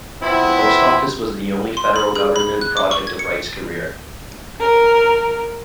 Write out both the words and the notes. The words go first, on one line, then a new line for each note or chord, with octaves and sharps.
The post office was the only federal government project of Wright's career.
F3 B3 C4 E4
C6
B5
G#4
B5
F#6
D6
C#6
G#6
C#7
A#4